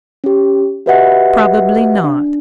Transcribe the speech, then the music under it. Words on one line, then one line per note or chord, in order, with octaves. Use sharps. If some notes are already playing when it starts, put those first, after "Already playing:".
Probably not.
C#4 G4
F#4 G4 B4 D#5 E5 F#5
D4